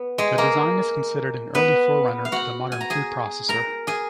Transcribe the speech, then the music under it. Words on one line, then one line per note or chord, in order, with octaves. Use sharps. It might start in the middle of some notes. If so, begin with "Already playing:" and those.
The design is considered an early forerunner to the modern food processor.
Already playing: B3
G#3 G#4
A#3 A#4
B3 B4
F5
F#4 F#5
G#5
A#5
G#4 G#5
A#4 A#5
G#4 G#5